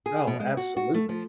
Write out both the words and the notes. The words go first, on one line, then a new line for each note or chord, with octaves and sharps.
Oh, absolutely.
G#4
B2
G#3
F#4
F#4
A3
F3